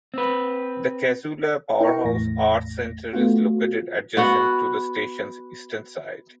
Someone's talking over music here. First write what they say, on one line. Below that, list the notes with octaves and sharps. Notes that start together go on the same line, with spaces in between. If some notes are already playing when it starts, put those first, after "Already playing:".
The Casula Powerhouse arts centre is located adjacent to the station's eastern side.
C4 B4
E4 A#4 G5 A#5 C#6
G#1 E2 A2 A#6
A3 B3 F4 F#4
B3 F#4 F#5